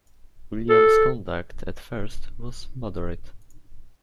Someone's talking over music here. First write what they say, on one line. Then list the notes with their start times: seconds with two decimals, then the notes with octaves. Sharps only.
William’s conduct at first was moderate.
0.69 A4